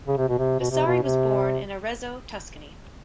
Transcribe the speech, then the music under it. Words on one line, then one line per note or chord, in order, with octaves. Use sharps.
Vasari was born in Arezzo, Tuscany.
C#3
C3
B2
C3
B2
C3
B2
C3